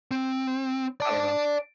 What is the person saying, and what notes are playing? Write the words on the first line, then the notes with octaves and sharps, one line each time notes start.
I don't know.
C4
D5 A5